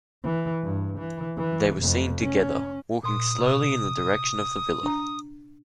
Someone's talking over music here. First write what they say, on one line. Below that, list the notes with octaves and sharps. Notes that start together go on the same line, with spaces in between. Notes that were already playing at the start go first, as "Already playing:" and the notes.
They were seen together, walking slowly in the direction of the villa.
E3
G2
E3
E3
F1 F2
C#4
A#2 C6 D#6
C3
D4 A#5